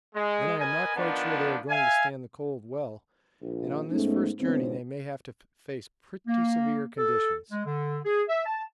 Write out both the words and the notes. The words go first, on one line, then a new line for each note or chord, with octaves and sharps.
'Then I am not quite sure they are going to stand the cold well, and on this first journey they may have to face pretty severe conditions.
G#3
A#4 B4 D#5 G#5
D#3 F3 B3 D4
E5 F5 G#5
A#1
G#2 A3 B3 C#4 D#4
C#2 G#2 D3 B3 C4
A#3
A4
G#3
D3
G#4
E5
A5